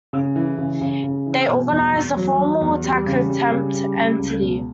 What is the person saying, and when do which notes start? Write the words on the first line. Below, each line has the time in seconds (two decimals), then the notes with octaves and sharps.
They organized the formal, tax-exempt entity.
0.13 C#3
0.36 E3
0.58 C#3
0.81 C#3
1.04 C#3
1.26 E3
1.49 B2
1.72 E2
1.94 E2
2.17 F#3
2.39 F#3
2.61 E2
2.84 G3
3.06 C#3
3.30 G3
3.51 C#3
3.74 G3
3.97 C#3
4.19 C#2
4.42 B2